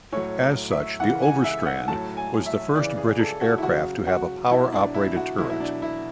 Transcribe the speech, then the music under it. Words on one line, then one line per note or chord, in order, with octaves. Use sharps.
As such the Overstrand was the first British aircraft to have a power-operated turret.
A2 F#3 C#5
E5
C#3 E3 F#5
G#5
E5
F#5
A2 F#3 A5
G#5
E5
C#3 E3 D5
G#4
A4
F#4
E4
C#3 F#3 F#4
F#4
B2 F#3 E4
D4
E4
F#4
B2 F#3 E4
E4
D4
E4